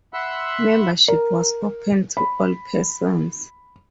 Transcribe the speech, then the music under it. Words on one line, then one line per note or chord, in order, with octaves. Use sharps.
Membership was open to all persons.
E5 F#5 B5 C6 E6 F#6
A#4
B5